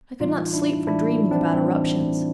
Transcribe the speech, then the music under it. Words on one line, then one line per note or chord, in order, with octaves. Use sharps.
I could not sleep for dreaming about eruptions.
A2 E3 G3 D#4 F4
D4 E4
A2 E3 G3 D4 E4
C4 D4
A2 E3 G3 C4